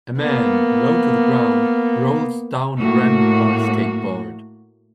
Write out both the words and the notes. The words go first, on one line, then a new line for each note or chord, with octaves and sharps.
A man, low to the ground, rolls down a ramp on a skateboard.
A#3 B3
A2 A#3 F#4